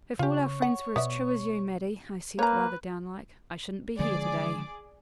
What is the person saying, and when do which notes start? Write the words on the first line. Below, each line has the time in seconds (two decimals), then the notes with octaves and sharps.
'If all our friends were as true as you, Maddie,' I said, rather down-like, 'I shouldn't be here to-day.'
0.19 C#3 F4 G4 C#5
0.62 F#5
0.96 B2 B3 D5 E5
2.39 A#3 B4 C#5 A#5
3.99 D3 F3 G#3 G#4 D5 D6